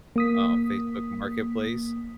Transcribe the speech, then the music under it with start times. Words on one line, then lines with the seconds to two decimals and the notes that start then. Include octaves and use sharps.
uh, on Facebook Marketplace,
0.16 A#3 D#6 B6